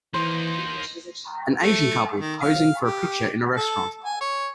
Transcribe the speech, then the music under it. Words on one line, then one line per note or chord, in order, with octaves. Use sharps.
An Asian couple posing for a picture in a restaurant.
E3 A#3 D#4 C5
A3
D#3
F5
G4
A4
G#5
C#5